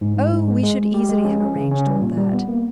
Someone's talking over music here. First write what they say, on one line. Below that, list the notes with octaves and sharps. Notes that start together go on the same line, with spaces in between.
'O, we should easily have arranged all that.
G#2
G#2
G#2
G#3
G#3
G#3
G4
G#3
C#4
C#4
C#3
C#4
G3
A#2
G3
B3
A#3